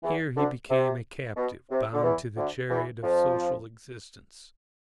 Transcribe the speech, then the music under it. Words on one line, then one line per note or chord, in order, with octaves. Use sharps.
Here he became a captive, bound to the chariot of social existence.
E2 E3
D2 D3
C3
B2
C3
D3
E2 E3
D2 D3
E2 E3
F2 F3